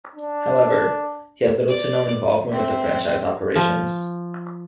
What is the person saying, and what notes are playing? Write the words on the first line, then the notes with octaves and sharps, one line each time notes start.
However, he had little to no involvement with franchise operations.
D4
D5
C4 E5
F3